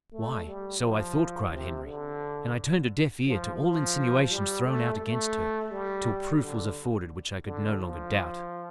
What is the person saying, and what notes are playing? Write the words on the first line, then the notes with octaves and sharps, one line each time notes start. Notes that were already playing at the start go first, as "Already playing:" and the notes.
"Why, so I thought," cried Henry, "and I turned a deaf ear to all insinuations thrown out against her, till proof was afforded which I could no longer doubt."
A3
G3
F3
C3
D3
F3
F3
G3
A3
A3
G3
D3
D3
F3